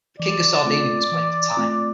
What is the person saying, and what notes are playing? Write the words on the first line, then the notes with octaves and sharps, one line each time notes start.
The King of Sardinia was playing for time.
E3 D5
A3 C4 F4
E3
A3 C4 F4